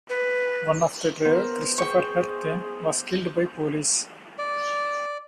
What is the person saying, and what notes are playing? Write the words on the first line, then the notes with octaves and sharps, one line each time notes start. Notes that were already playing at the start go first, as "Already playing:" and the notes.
One of the trio, Christopher "Herc" Thien, was killed by police.
B4
B3 A#4 C5
G#4 C5 G5 C#6
D5